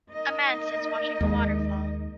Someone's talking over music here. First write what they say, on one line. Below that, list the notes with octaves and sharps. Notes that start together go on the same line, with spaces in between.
A man sits watching a waterfall.
A#3 D#4 D#5
D#2 G#3